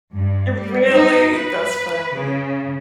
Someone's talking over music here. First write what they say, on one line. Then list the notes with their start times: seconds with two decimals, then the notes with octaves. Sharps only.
Really? That's funny.
0.13 G2
0.57 G3
0.94 D#4
1.36 B4
2.15 C#3